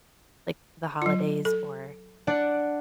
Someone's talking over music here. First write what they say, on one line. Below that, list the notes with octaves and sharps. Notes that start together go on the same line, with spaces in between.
like, the holidays or
F#3 F4
A4
D4 D5 F#5